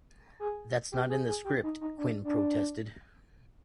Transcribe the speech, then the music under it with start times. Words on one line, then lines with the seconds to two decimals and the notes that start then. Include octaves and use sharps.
'That's not in the script', Quinn protested.
0.40 G#4
0.92 G4
1.10 G#4
1.28 G#4
1.45 G4
1.63 D#4
1.81 D#4
1.98 D4
2.24 D4